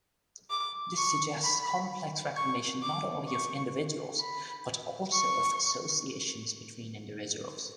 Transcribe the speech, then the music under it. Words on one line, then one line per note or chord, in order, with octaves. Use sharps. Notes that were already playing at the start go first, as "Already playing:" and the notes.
This suggests complex recognition not only of individuals, but also of associations between individuals.
D6
C#6
B5
C#6
D6
C#6
B5
C#6